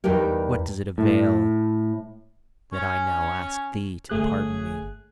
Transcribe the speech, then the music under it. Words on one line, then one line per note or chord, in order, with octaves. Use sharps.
What does it avail that I now ask thee to pardon me?
E2 G2 D#4 G4 A#4
A2
C#4
G1 A3 C#4 G#4 F#6